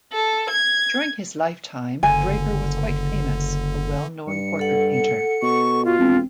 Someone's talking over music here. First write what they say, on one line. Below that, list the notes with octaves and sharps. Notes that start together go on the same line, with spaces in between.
During his lifetime Draper was quite famous, a well-known portrait painter.
A4
G#6
F#1 D3 G#5
G2 C#7
A4 F#5
C#7
B2 C#6
F4 F#4
E1 C4